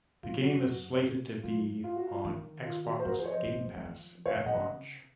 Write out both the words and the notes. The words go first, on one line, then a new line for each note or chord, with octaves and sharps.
The game is slated to be on Xbox Game Pass at launch.
F#2 F4
F#4
F#2 F4
F4
F#4
F4
D#3
F4
F#4
C5
F3 F#4 A#4
G#4 C5
C#5
C5 D#5
F3
D#3
F3
F#3
F3
G#2 C#5 F5
A#2
F3 D#5 F#5
C#3